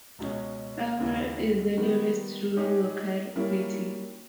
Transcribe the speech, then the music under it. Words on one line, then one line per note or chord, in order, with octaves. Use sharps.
Amur is the nearest rural locality.
C#2 B2 G#3 C#4
D#2 C#3 G#3 B3 E4
D#3 G3 B3
G#3 D#4 G4 C#5
G3 A#3 C#4 E4